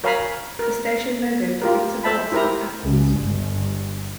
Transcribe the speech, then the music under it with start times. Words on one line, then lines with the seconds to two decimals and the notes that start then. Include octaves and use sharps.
The station logo depicts a box with apples.
0.04 A#4 C#5 F5 G#5 A#5 B5
0.59 A#4
1.62 F4 G4 A#4
2.03 A4 C5 E5 A5 B5
2.32 E4 G4 A#4 C5 A#5
2.84 C#2
3.17 G1